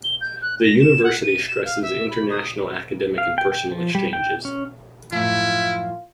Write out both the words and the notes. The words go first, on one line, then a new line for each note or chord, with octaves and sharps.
The university stresses international academic and personnel exchanges.
G7
G6
F#6
A#6
E7
F#5
D#7
E7
F5
E5
B5
D#6
F5
G5
G5
F3
G3
G5
C#4
F#2 A2 F3 E4 F4